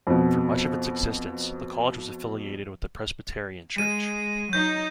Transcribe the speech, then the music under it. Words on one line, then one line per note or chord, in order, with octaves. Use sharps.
For much of its existence, the college was affiliated with the Presbyterian Church.
F2 B2
G#3 D#7
F#3 D#4 G6